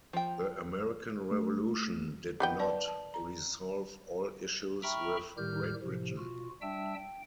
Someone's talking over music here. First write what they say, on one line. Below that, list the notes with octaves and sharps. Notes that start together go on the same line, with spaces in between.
The American Revolution did not resolve all issues with Great Britain.
F3 G5
A3
D#3 B3 G5
B4 D5 A5
A5
A#5
E5 G5 A#5 B5 C#6 F6
A2 D#3 G3 G4 F6 G6
A2 C3 F3
B2 F4 F#4
G3 D4 E5 G5 A5 E6
G5